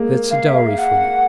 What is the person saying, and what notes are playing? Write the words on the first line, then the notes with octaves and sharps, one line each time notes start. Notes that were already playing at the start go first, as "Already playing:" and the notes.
That's a dowry for you.
Already playing: G#3 A#3
F5
E5
F5
F#5